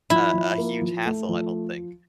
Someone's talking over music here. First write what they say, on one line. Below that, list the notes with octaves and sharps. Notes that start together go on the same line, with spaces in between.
a a huge hassle, I don't think.
F3 E4
F3
A#3
F3
A3
F3